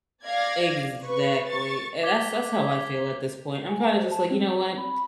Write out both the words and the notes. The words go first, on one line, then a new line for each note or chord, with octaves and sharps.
Exactly, and that's that's how I feel at this point, I'm kinda just, like, you know what?
D5 F5 G#6 A#6
B4 C#6
C#6 A6
D6 G#6 B6 G7
G#5
C5
A5
C4
B5